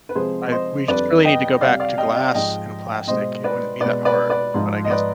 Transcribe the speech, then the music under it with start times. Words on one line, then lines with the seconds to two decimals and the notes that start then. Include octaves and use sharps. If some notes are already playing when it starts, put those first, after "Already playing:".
I we just really need to go back to glass and plastic. It wouldn't be that hard, but I guess
0.09 B4
0.15 C3 F3 G#3 G#4 C5
0.51 C5 D#5
0.88 F2 D3 G3 B4 D5
1.25 D#5 G5
1.61 C3 G3 D5 F5
1.80 D5 F5
1.98 D#5 G5
2.16 D5 F5
2.34 G#2 F3 G#3 D#5 G5
3.07 B2 G#3 C5 D#5
3.44 B4 D5
3.81 B2 B4 D5
3.86 G#3
4.05 B4 D5
4.30 B4 D5
4.54 G#2 F3 G#3
4.85 D#5
4.90 B4 D5